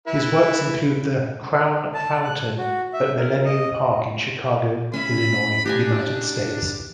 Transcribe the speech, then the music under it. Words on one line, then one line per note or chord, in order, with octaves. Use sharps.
His works include the "Crown Fountain" at Millennium Park in Chicago, Illinois, United States.
E4 B4
A5
F#6
F#4
E5
A#4
D#5
C#4 E5 B5
D4 G4 D#5 G#5